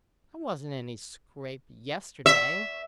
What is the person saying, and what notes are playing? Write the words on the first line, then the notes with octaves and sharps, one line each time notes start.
"I wasn't in any scrape yesterday."
E5